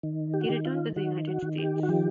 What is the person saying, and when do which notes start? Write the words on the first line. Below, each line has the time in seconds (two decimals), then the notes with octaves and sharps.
He returned to the United States.
0.03 D#3
0.34 G4
0.41 F#4
0.49 D#3 G4
0.65 F4
0.96 D#3 F#4
1.28 F#4
1.42 D#3
1.58 G4
1.83 F#4
1.89 F3 G4